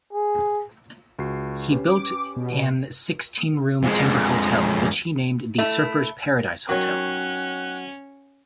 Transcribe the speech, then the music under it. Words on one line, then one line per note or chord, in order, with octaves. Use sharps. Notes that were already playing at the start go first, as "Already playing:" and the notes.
He built an sixteen room timber hotel, which he named the Surfers Paradise Hotel.
G#4
C#2 F#4 C7
C#4 G4 B4
D6
B2
F2 G#3
A3 E4
D#3 F#3 C#4 C#5 F#6